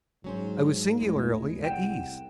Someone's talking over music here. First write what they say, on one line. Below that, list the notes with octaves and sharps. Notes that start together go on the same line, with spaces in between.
I was singularly at ease.
G#2 F#3 C#4 C5
E1 A1 G#3 E4
C2 E4 F#5 G5 D7 E7